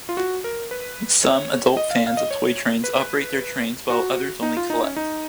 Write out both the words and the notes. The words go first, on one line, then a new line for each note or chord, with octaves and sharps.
Some adult fans of toy trains operate their trains, while others only collect.
F4
F#4
A#4
B4
C#5
D#5
F5
F5
D#5
C#5
B4
F#4
D#4
F4
D#4
C#4
D#4